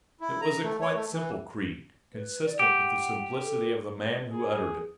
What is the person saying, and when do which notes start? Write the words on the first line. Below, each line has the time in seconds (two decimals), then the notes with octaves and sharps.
It was a quite simple creed, consistent with the simplicity of the man who uttered it.
0.21 E4
0.41 A#5
0.63 A3
0.82 C#5
0.95 A3
1.12 E3
2.14 B4
2.46 D5
2.59 G4 F#5
3.44 A4
4.32 G#4